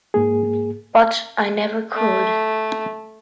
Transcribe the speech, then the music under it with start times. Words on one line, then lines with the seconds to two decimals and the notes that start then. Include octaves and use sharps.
But I never could!
0.14 G#2 A#3 G#4
1.94 A3